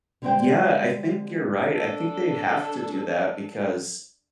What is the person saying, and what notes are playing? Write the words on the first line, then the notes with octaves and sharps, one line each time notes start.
Yeah, I think you're right, I think they have to do that because,
D3 G3 G#3 C4 C5 G5
D4 A4